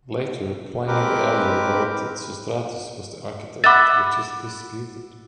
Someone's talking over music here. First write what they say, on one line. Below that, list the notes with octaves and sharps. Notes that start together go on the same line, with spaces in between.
Later Pliny the Elder wrote that Sostratus was the architect, which is disputed.
G#3 C4 G4 A#4 B4 D6
E5 F#5 B5 D6 A6